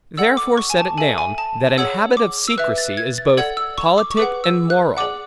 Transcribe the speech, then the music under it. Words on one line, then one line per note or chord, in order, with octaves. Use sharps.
Therefore set it down, that an habit of secrecy, is both politic and moral.
A4 D5 F#5 E6
D6
C#6
G#5
A5
A4 E5 G#5
G#5
A5
G#4 C#5 F#5 E6
D6
E6
B4 E5 F#6
A6
G#6
A6
A4 D5 F#5 G#6
E6
C#6
D6
C#6
G#4 B4 F#5 D6
E6
F#6
G#4 D5 F#5 D6